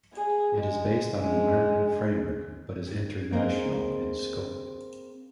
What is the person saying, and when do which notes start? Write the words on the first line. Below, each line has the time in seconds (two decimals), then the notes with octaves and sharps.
It is based on an American framework but is international in scope.
0.14 G#4
0.56 G#3
1.19 G#3
3.32 A#3 C4 G#4 D#5